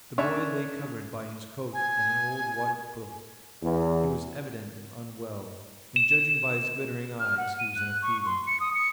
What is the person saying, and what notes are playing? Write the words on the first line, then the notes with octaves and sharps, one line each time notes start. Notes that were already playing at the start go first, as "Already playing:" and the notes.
The boy lay covered by his coat and an old wadded quilt. He was evidently unwell, and, judging by his glittering eyes, he was in a fever.
C#4 D4 C#5 E5
G#5
E2
E7
F6
F#5
D#7
F#6
C#6
C6
C#7
D#6
C#7